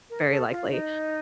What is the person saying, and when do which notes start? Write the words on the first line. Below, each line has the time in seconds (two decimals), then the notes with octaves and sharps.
very likely.
0.10 A#4
0.29 A4
0.50 F4
0.70 D#4